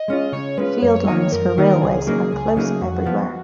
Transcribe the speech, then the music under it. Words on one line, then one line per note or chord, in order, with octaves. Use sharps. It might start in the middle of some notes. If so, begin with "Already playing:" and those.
The field lines for railways are close everywhere.
Already playing: D#5
G#3 C#4 F4
C#3 C#5
G#3 C#4 F4 B4
F#2 C#5
C#5
D#3 A#3 D#4 C#5
C#5
F#2 A#4
A#4
D#3 A#3 D#4
A#4
C#2 G#4
C#3 F#3 A#3 D#4
C#2
C#3 F#3 A#3 D#4
F2 F#4
F3 B3 F4